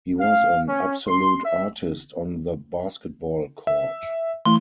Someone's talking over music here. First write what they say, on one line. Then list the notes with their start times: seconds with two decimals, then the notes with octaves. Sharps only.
He was an absolute artist on the basketball court.
0.20 F5
0.67 C#4
1.07 C6
1.45 E5
3.67 E5
4.45 E3 A3 E4 C6